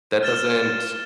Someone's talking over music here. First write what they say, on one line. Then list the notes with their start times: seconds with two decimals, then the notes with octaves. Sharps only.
that doesn't
0.23 F6 A6 E7 G7